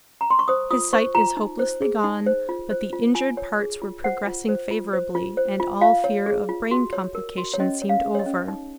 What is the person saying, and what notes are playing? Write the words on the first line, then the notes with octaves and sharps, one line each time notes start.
His sight is hopelessly gone, but the injured parts were progressing favourably, and all fear of brain complications seemed over.
A#5
C6
C#6
C5 D#6
F4 D#6
C5 C#6
F4 A#5
D#4
C5
G#4
D#4
C5
F4
C5
F4
F4 G#5
C#5
G#4
F4
C5 F#5
F4
C5
F4
C5
F4
C5
F4
F4 F5
C#5
G#4
F4
F#4
C#5
A#4
F#4
C#5
C#4 D#5
C#5
F5
G#4
C#5
D#5
C#4
D#4